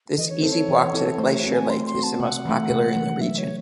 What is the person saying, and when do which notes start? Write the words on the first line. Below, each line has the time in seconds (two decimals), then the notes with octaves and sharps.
This easy walk to the glacier lake is the most popular in the region.
0.18 E3 D#5
0.29 C#5
0.41 C4 E4 A4 C5
0.52 C#5
0.69 E3
0.93 C4 E4 A4
1.18 A3 C5
1.35 C#5
1.44 C4 F#4
1.52 G#5
1.69 A3 C6
1.86 C6
1.94 C4 F#4
2.03 A5
2.20 C3 F#5
2.45 E3 A3
2.70 C3
2.96 E3 A3
3.21 F#3 E5
3.37 C#5